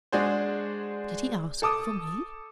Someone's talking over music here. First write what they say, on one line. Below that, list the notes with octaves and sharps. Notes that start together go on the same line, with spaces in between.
'Did he ask for me?
G#3 D4 F#4 G#4 C5
A4 A5 D6 D#6